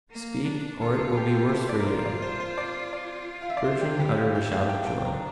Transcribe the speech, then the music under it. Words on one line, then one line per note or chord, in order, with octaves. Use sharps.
'Speak or it will be worse for you.' Bertrand uttered a shout of joy.
A#3
D4
F4 A4
A4
G4
A4
E4 C5
D5
A#4
F4 C5
D5
C5
C5
D5
D5
F5
E5
D5
F4 C5
G4
E4 G4
F4
D4 G4
F5
G5
G5
A#5